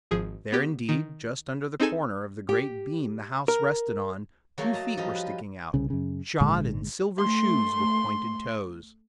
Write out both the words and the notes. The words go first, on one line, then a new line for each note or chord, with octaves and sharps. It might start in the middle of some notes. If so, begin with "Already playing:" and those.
There, indeed, just under the corner of the great beam the house rested on, two feet were sticking out, shod in silver shoes with pointed toes.
G#1 F3 G#4
B3 G4
D#3
C4 D#4 G#4 A4 G#5 E7
G4
A#4
F#3 A3 A#3
D#5 A5 A#5
F3 G3 D#4 D#5
B4
C2 C#3
F#2 C#3
G#1 A#2 D3 G#3
A3 C6